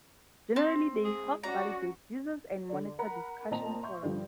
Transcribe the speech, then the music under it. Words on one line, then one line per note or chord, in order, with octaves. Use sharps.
Generally, they help validate users and monitor discussion forums.
C4
G#3 G#4
C#4 F#4 D5 A#5
D3 D5
A#4 F#5 A#5 B5
A#2 C4 D#5 A5 A#5 F7
E5 C6 C#6 G6
G2 D3 F3 G3